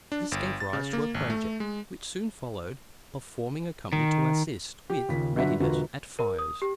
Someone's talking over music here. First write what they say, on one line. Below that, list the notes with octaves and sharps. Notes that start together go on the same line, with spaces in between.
This gave rise to a project, which soon followed, of forming a company to assist, with readiness, at fires.
D4
G1
A6
C#3
A#3
G#1
A3
G#3
D#3
G4
D#2 C#3 F4 B6
G1 F#3 D4 E5 F#5 B6
E1 D3 F4 F#4 B4
A#4
D#6
G4